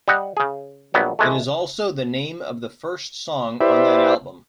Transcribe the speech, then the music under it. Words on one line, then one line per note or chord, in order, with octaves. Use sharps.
It is also the name of the first song on that album.
G3 D#5 F#5
C#3 G#4
A#1 F#3 G3 B3
E3 G#3 A3
E4 G4 B4 C5 D5 E5